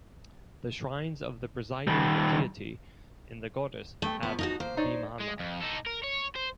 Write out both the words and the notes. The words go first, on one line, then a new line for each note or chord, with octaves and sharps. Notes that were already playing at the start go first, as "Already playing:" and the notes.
The shrines of the presiding deity and the goddess have vimana.
D#3 G3
G2 A3 G5
E2 F3 B3
D#4 F4 F#4
A#3 C5
D#4 C#5 D5
G#3
F2
D#4 A4
A#4
C#5
C5